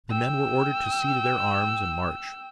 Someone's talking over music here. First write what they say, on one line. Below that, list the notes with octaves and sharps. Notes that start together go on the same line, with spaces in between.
The men were ordered to see to their arms and march.
G5 E6